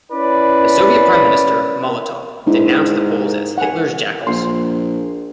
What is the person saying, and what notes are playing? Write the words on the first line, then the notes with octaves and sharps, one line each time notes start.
The Soviet Prime Minister, Molotov, denounced the Poles as "Hitler's jackals".
C#4 E4 B4 D5
G#2 D4 E4
F#5 G#5
A#1 C6